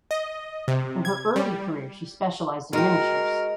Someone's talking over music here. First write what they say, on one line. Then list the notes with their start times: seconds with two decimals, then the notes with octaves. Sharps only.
In her early career she specialized in miniatures.
0.11 D#5
0.68 C3
1.05 G#6
1.36 G3
2.73 G#3 F#4 A#4 G5